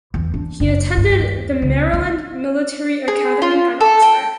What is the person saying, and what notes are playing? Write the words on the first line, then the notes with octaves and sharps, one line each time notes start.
He attended the Maryland Military Academy at Oxford.
E2
D4
F#1
G2
D#2
C#2
D#4
G#4
F4
A4
G5